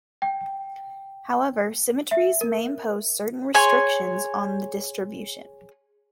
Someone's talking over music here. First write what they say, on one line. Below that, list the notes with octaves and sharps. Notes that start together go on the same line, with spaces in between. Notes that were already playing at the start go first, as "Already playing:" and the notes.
However symmetries may impose certain restrictions on the distribution.
G5
E5
A#4
G#4 C#5 G#5 C6